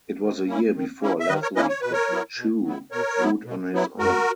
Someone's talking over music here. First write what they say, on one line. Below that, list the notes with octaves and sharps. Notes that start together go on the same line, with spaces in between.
It was a year before Leslie could chew food on his own.
D#3
A#3 C#4 E4
D#3
A#3 C#4 E4
E5
D#3 B4 D#5
A#4 C#5
A#3 C#4 E4 B4 D#5
C#5
B2 B4
A#4 C#5
F#3 B3 E4
B2
F#3 B3 E4
B2 A#4 C#5
F#3 B3 E4
B2
F#3 B3 E4
F#2 F#4 A#4